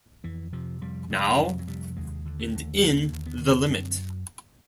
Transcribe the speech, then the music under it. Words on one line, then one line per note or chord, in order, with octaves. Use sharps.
Now and in the limit.
F2 E3
C3 F3
F2 G3
C3 G#3
F2 G3
F#3
C3 G3
D#2 G#3
D3
A3
D#2
D3 A#3
D#2
B3
D3
F#2 C4